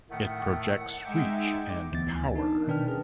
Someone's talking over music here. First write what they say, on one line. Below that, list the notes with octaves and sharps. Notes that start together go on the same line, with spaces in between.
It projects "reach and power".
A2 D#3 A3 F#5
G#3 D#4 E5 G5 D6
D2 E3 B3 A6
G#5
D4 D#4 A#4 A5
B2 D#3 D4 B4 G5 F6
C#4 G#4